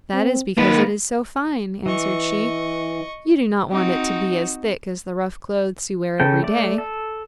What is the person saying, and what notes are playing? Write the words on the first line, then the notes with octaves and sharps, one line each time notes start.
'That is because it is so fine,' answered she; 'you do not want it to be as thick as the rough clothes you wear every day.'
C4
D#3 A#3 B4
E3 D#5 C#6
C4 D#4 F#4
C#3 A4 G5
A3 D5
A4